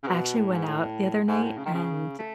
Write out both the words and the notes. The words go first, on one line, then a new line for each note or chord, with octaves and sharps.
actually went out the other night, and
C#3
B2
A2
G#2
A2
G#2
A2
C#3
D#3
C#3
A3